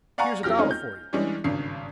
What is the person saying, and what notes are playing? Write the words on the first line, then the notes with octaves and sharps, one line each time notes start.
Here's a dollar for you.
D5 F5 F#5 G#5 A#5 C#6
F#2 F3 G4 F6 A#6
G#3 A3 C4 C#4 D#4 F4
G6
E3 G3 G#3 C#4 D4
G#1 G2 C#3 D4 C7